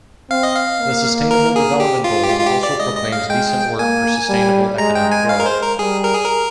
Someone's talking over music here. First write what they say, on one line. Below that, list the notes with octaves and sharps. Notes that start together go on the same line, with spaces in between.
The Sustainable Development Goals also proclaims decent work for sustainable economic growth.
C4 F5
D#5
F5
A#3
A#4
G#4
G4
F4
G4
G#3 F4
F4
G4
D5
G#3 D#5
D#5
F5
G#3 G5
A#3 G#5
G3
G#3 A#5
G5
G#5
F5
A#4
C5
A#4
G3 G#4
A#4
G#4
A#4